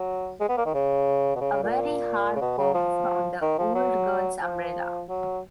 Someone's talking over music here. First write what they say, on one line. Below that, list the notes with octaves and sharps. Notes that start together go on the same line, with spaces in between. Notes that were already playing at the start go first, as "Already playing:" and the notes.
A very hard poke from the old girl's umbrella.
Already playing: F#3
G#3
B3
A#3
D#3
C#3
B2
C#3
C#3
A#2
C#3
B2
C#3
F3
D#3
F3
F#3
F3
F#3